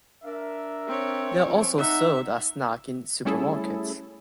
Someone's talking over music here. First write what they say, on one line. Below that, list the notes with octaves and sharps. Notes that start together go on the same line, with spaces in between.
They are also sold as snack in supermarkets.
D4 A#4 E5
C4 C#5
F3 C#4
D#4 E5 F#5
G3 A3 C#4 E4 G#4 A4